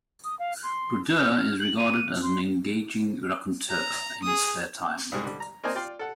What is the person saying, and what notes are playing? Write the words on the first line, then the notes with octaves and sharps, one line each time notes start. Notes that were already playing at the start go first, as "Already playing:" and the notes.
Brodeur is regarded as an engaging raconteur in his spare time.
D#6
F5
C6
G6
F6
F#7
D#7
C6
A#5
G#4 D#6
C2 G#2 G#3
D3 G3
A#5
A#3 C4 D#4 C5 D#5 G#5
F4 D5 G5 C6
A4 F#5